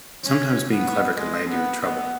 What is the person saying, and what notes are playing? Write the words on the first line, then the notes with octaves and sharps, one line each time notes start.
Sometimes being clever can land you in trouble.
C#4
B3
G#3
B3
B3